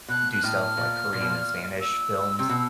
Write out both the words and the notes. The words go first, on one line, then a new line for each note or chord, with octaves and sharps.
do stuff like Korean and Spanish films.
B2 F#6
F#6
A2 F6
A#2
A#2
B2
A#2
E6
C3
B2